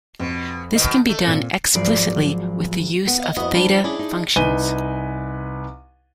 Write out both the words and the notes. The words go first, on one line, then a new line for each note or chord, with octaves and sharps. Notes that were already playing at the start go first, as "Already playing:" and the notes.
This can be done explicitly with the use of theta functions.
F2 B2
B2 D#3 D#5
A3
A#2 C4
G#1 F3 F#3 D5 C7
B3
D#5 F5
F2 B3 E4 F#4 D#5
F3 G3 D4
G#3 C#4 D4 E4
D#4
C2 D#4 B4 G#5 D#7 G7